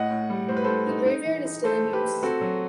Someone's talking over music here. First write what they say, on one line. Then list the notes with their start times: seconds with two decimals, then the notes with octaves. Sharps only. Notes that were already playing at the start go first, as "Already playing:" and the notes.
The graveyard is still in use.
Already playing: A2 D#5 F#5
0.10 A2
0.30 G3
0.48 A2 C5
0.56 B4
0.64 A2 A4 C5
0.87 D#4
1.06 D#4
1.25 E3
1.45 D#4
1.64 A3 A4 C5
1.84 A3
1.93 G4 B4
2.03 A3
2.23 C4 F#4 A4
2.41 F#3